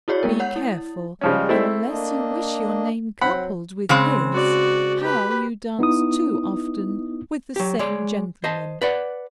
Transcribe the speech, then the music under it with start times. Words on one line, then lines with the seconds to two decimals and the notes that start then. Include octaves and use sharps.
Be careful, unless you wish your name coupled with his, how you dance too often with the same gentleman.
0.08 E4 F#4 G#4 C#5 D5
0.23 G#3 B3 A#4
0.40 C#5 F#5 G6
0.56 E4
1.21 C#3 F3 G3 G#3 C#4
1.49 A3 C4 E4
1.88 A#3 D4 D#5
3.21 F#3 C4 F#5 B5
3.89 C#3 G#3 C4
4.32 F#4 D5
5.00 G4 B4
5.79 B3 D#4 E4 D#6
7.56 F#3 G4
7.79 G#3 C#5 D5
8.44 C5 D#5 A5
8.82 B4 D5 F#5